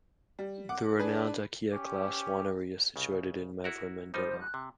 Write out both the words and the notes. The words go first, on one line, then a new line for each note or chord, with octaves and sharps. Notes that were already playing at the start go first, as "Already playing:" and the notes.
The renowned Achaia Clauss winery is situated in Mavromandila.
G3
F#5 D6
D4 G#4 B4
C#4 G4 D6
C2 C#3
E4 F#4 A#4
F3 G3 D#4 C5
F#6
C3